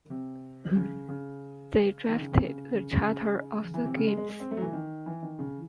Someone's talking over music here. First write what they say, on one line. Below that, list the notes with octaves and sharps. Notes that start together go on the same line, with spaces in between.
They drafted the Charter of the Games.
C3
C#3
C#3
D#3
C#3
C3
C#3
C#3
C#3
C#3
E3
C3
C#3
G#3
G#3
G#3
C4
A3
F#3
E3
D#3
E3
D#3
C#3